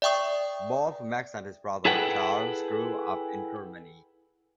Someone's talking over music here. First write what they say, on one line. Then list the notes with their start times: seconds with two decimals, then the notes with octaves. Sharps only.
Both Max and his brother Charles grew up in Germany.
0.02 D5 E5 G5 C#6 D#6
1.85 E4 G#4 A4 B4 F#5 G5